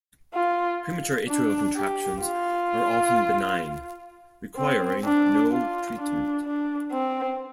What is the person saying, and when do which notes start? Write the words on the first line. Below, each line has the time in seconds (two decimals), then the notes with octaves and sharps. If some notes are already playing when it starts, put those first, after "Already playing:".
Premature atrial contractions are often benign, requiring no treatment.
0.34 F4
1.28 D4
1.76 G4
2.22 F4
4.57 C4
5.05 D4
5.50 F4
5.98 D4
6.45 D4
6.92 C4